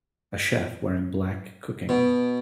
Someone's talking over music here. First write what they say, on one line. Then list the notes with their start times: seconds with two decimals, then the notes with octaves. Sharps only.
A chef wearing black cooking.
1.89 B2